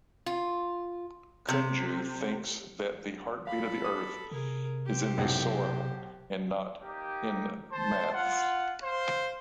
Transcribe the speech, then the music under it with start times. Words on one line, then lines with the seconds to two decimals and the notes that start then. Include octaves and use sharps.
Kunju thinks that the heartbeat of earth is in soil and not in maths.
0.26 F4
1.49 C3
3.47 A4 F5 B5
3.85 D#6
4.31 C3 G#4 A#4
4.86 G4 C5
5.18 B1 F#2 A2
6.81 A#3 D#4 G4
7.72 C5 A5
8.13 F4 F#5
8.82 C5 F5